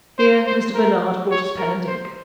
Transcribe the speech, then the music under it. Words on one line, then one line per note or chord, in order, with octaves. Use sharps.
Here Mr. Bernard brought us pen and ink.
C5
C5
A#4
C#5
A#4
C5